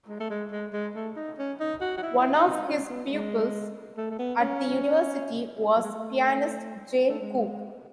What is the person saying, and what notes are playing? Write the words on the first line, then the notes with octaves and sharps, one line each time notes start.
One of his pupils at the university was pianist Jane Coop.
G#3
A3
G#3
G#3
G#3
A3
D#4
C#4
D#4
F#4
F#4
E4
E4
D#4
D#4
C#4
B3
G#3
A3
A3
B3
C#4
F#3
G#3
A3
A3
G#3